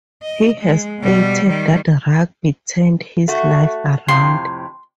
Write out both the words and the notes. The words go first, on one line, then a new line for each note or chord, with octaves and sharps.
He has stated that rugby turned his life around.
D#5
G#3
B2 G3
D#3 G3
A3 F#4
F2 A2 C3 C6